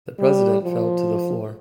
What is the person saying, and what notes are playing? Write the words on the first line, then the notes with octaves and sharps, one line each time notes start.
The President fell to the floor.
G3
F3